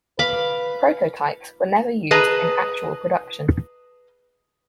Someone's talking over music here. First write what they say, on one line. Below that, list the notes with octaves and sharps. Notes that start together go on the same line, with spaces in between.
The prototypes were never used in actual production.
B4 F5 B5 D6
G#4 B4 D#5 A5 A#5